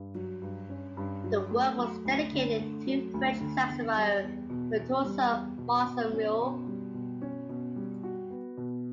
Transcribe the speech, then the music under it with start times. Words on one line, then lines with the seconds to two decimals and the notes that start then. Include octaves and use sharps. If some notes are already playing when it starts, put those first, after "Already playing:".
The work was dedicated to French saxophone virtuoso, Marcel Mule.
Already playing: G2
0.15 F#3
0.42 G2
0.69 C#4
0.97 G2
1.24 F#3
1.51 A3
1.78 F#3
2.05 D2
2.32 D3
2.59 A3
2.87 F#3
3.14 D2
3.41 D3
3.68 E2
3.96 G3
4.22 E2
4.50 B2
4.77 E2
5.04 G3
5.32 E2
5.58 B2
5.86 B2
6.13 C#4
6.40 B2
6.67 G3
6.94 B2
7.22 C#4
7.49 B2
7.76 G3
8.03 F#4
8.30 B3
8.57 B2